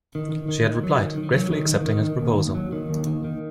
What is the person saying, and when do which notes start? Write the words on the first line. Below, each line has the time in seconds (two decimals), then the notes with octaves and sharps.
She had replied, gratefully accepting his proposal.
0.15 D#3
0.32 D#3
0.48 D#3
0.66 D#3
0.84 F#3
1.00 D#3
1.17 D#3
1.35 F#3
1.52 D#3
1.69 D#3
1.86 D#3
2.04 D#3
2.21 D#2
2.38 D#2
2.55 F#3
2.72 D#3
2.89 D#2
3.07 D#3
3.24 D#3